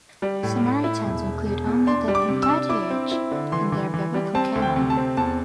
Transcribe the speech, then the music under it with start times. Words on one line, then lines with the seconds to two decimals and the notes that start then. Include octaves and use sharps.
Samaritans include only the Pentateuch in their biblical canon.
0.22 G3
0.43 A2
0.64 A2
0.84 E4
1.05 E1
1.25 E1
1.46 E1
1.67 E2
1.87 D4 C6
2.08 G3
2.15 D6
2.29 C3
2.43 E6
2.49 D4
2.69 E4 D6
2.90 C4
3.11 E4
3.31 D3
3.52 E3 C6
3.72 E3
3.94 E3
4.14 G3
4.35 C4 A5
4.55 D2
4.62 G5
4.76 C3
4.90 A5
4.97 C4
5.17 E2 A5